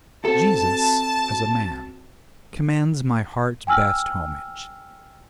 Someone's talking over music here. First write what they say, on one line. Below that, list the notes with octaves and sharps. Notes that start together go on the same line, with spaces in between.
Jesus, as a man, commands my heart's best homage.
C4 F#4 A4 A5
G5 G#5 E6 F6